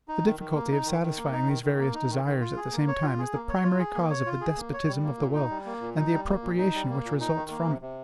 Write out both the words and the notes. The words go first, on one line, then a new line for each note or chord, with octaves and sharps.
The difficulty of satisfying these various desires at the same time is the primary cause of the despotism of the will, and the appropriation which results from it.
D#4
D#3
D#3
A#3
D#4
D#3
D#3
A#3
D#4
D#3
D#3
A#3
D#4
D#3
D#3
F4
G#4
A#3
C#5
F4
G#4
A#3
C#5
F4
G#4
A#3
C#5
F4
G#4
A#3
C#5
G3
A#3
A#2
D#4
G3
A#3
A#2
D#4
G3
A#3
A#2
D#4
G3
A#3
A#2
D#4
D#3
A#3
C3
C3